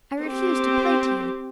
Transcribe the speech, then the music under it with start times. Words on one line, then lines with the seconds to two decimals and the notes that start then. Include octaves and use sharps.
I refuse to play to you!
0.23 C4 G4